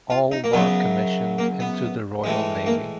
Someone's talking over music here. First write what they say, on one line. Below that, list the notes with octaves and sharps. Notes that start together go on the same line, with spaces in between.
All were commissioned into the Royal Navy.
F4
D#4
A#3
F#2 C#3 F#3 B3
A#3
B3
A2 E3 G#3
A#3